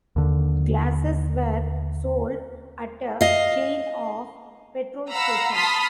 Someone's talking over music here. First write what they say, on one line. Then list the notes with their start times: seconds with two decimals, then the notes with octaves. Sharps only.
Glasses were sold at a chain of petrol stations.
0.16 D#2 D3
3.21 D#5 F5
5.10 F5 F#5 A#5 B5 E6
5.54 A5 B5 C6 D#6 F6 B6